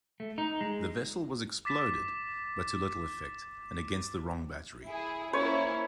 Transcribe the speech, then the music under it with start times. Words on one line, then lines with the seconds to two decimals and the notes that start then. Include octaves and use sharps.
The vessel was exploded, but to little effect and against the wrong battery.
0.20 A3
0.38 D#4
0.61 G#3
1.65 D6 A6 B6 E7
4.85 E4 G#4
5.33 A#3 C#4 E4 C#5